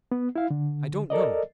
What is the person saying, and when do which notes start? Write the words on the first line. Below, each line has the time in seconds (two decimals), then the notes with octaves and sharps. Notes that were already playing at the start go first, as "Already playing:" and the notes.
I don't know.
0.12 B3
0.36 E4 F5
0.50 D3
1.10 A4 A#4 D5 D#5